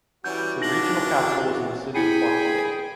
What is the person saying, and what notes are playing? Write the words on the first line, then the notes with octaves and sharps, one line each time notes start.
The regional capital was in the city of Poitiers.
E3 G3 C#4 F#4 G6
D4 D#4 F4 A#6 F#7
E4 G#4 G5 G#5 B5 C#7 D#7